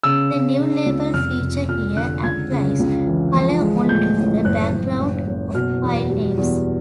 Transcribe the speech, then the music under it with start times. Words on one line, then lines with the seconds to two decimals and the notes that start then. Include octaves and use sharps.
The new label feature here applies color only to the background of file names.
0.03 C#3 E6
0.31 C#3
0.59 C#3
0.86 C#2
1.14 F1 F6
1.42 F1
1.68 F2 F6
1.96 D3 F#6
2.23 C#2 G#6
2.52 C#3
2.79 C#2
3.07 E3
3.34 F3
3.61 G#3
3.89 A2 G6
4.18 A1
4.45 F#1 F#6
4.72 F#1
4.99 F#1
5.27 F#1
5.54 B2 F6
5.83 E2
6.10 G3
6.38 E2